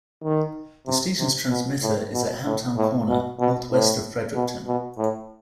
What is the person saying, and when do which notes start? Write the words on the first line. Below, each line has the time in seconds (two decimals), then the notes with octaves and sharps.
The station's transmitter is at Hamtown Corner, north west of Fredericton.
0.24 D#3
0.87 C3
1.19 C3
1.50 B2
1.82 A2
2.14 B2
2.45 A2
2.77 A2
3.08 B2
3.40 B2
3.71 A2
4.35 B2
4.67 B2
4.98 A2